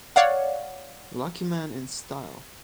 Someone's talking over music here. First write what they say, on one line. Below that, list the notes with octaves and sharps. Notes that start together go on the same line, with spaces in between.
Luckyman in style.
C#5 D5 F5 F#5